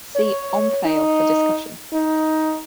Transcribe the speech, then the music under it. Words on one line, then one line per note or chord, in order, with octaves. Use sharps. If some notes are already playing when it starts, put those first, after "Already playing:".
See Omphale for discussion.
C#5
D#4
D#4